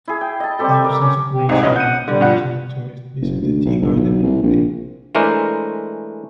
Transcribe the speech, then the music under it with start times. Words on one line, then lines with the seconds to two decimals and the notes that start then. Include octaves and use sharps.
Thousands of national and international tourists visit the tea garden everyday.
0.08 E4 G#4
0.21 G5
0.40 D#5 A5
0.59 G3 C4 G4 A4
0.84 A#4 D6
1.01 C#4
1.33 G4
1.49 C2 G#2 C4 D#4
1.63 A#1 C#4 B4 D#5
1.76 F#5 G6 D#7
2.08 D3 G3
2.21 G2 F3 F#5
3.21 F#1
3.42 D2
3.65 B1
3.81 G1
3.96 B1
4.22 C2
4.42 A#1
5.15 E3 G#3 A3 D4 A#4 C5